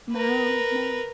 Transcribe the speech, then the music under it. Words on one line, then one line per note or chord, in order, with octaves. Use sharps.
No. No.
A#4 B4